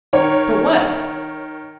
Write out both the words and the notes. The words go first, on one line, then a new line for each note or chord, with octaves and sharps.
"But what?"
D#3 C#5